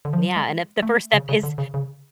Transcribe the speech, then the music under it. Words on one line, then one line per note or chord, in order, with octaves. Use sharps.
Yeah, and if the first step is
D3
F3
F#3
G#3
A3
C#3
C#3
D3
C#3
C#3